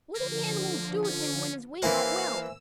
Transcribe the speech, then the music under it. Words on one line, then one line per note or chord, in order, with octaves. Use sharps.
"What did the animals do with him when his wing got well?"
D3 F3 A#3
C#4
E3 A#3 C5 E5 F5 G#5 E6